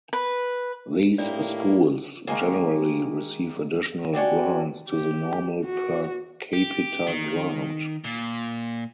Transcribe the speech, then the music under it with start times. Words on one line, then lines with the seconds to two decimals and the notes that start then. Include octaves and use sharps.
These schools generally receive additional grants to the normal per capita grant.
0.13 B4
1.18 A2 A#3 D#4 E4 G4 D5
2.27 D#3 F3 G#3 A#3
4.13 C#4 D4 F#4 G4
4.89 G4
5.65 F#4
6.53 G4
7.07 D#3
8.04 A#2